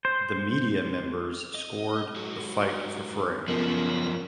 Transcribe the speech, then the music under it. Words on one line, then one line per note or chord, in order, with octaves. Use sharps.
The media members scored the fight for Frey.
C5
D#5
G#2 F#3
F#2 C#3 F3 B3 A#4